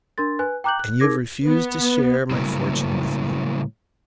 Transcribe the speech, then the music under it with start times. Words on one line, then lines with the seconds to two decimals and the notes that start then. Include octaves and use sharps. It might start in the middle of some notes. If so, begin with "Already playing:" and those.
"And you have refused to share my fortune with me."
0.18 D4 A#4 C6 A6
0.39 B4 G#5 F#6
0.64 G5 A#5 D6 F#6 G6 F#7
0.79 F#6
1.00 D#4 G#4 A#4 D6 G#6 A#6
1.47 B3
2.31 A2 C#3 F#3 G3 A#3 E4